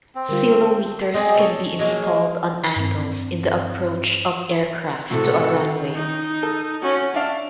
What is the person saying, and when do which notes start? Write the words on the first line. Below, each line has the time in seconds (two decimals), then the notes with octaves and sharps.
Ceilometers can be installed on angles in the approach of aircraft to a runway.
0.15 C4
0.29 D3 G3 F4 A#4
1.14 G#3 C4 G#4 D5
1.34 A4 C#5
1.79 F#3 G#3 A#3
2.76 G2 C4
5.10 A2 C3 F#4 A4
5.62 D#3
5.94 D#4
6.43 A4
6.82 C#4 F#4
7.14 D4 E5 F5 A5